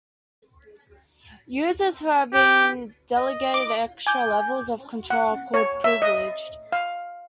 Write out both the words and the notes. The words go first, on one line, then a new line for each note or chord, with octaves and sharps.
Users who have been delegated extra levels of control are called privileged.
G4
D#5
D6
G#5 D6 G6
F#5
C#5
E5
D#5
F5